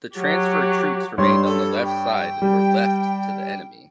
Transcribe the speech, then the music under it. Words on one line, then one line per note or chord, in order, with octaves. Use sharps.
The transferred troops remained on the left side and were left to the enemy.
F#3 G4
G2 G3 C#5 C6
A4
G5
G3